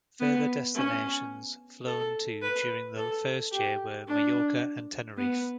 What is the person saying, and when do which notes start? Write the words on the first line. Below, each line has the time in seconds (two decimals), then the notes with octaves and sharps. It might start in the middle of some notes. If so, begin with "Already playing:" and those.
Further destinations flown to during the first year were Majorca and Tenerife.
0.20 B3
0.75 C#4
1.86 A4
2.42 B4
2.97 A4
3.51 G4
4.08 D4
5.18 B3